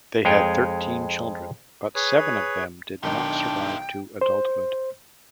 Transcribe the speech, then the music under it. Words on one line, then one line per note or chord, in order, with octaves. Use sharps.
They had thirteen children, but seven of them did not survive to adulthood.
F2 G#3 G#4 C#5 G5
G#4 B4 C#5
B1 D#3 A3 D4 D#4 F4 G5
C5